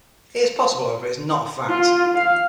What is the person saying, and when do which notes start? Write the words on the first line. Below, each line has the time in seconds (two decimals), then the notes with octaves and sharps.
It is possible however it is not a fact.
1.69 F4
2.17 F5